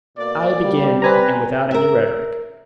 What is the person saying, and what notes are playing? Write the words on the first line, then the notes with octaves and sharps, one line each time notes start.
"I begin, and without any rhetoric."
B2 A#3 D5
G3
C4 B4 G#5 A#5
A#4 E5